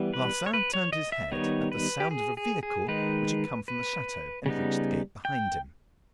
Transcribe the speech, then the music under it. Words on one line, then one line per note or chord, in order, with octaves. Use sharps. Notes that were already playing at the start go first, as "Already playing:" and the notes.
Larsan turned his head at the sound of a vehicle which had come from the chateau and reached the gate behind him.
Already playing: E3 G3 B3
B4
C#5
B4
C#5
D#5
E5
D#3 G3 B3 D#4 C#5
B4
G4
G#4
G#4
G#4
D#3 G#3 D#4 B4
B4
C#3 G3 B3 D#4
G5